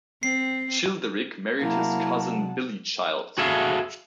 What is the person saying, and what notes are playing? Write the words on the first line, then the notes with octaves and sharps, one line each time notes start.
Childeric married his cousin Bilichild.
C4 C7
C3 F#3 A#3 E4 G#4 F#5 A5
F#4 G#4 A4 E5 F5